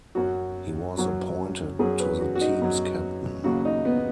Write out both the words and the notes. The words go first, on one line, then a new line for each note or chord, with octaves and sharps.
He was appointed the team's captain.
F#2 F#3 F#4
F#2 F#3
F#2 F#3 G#4
B4
F#4
F#4
D#4
F#2 F#3
D#2 C#3 F#3 F#4
D#4
B3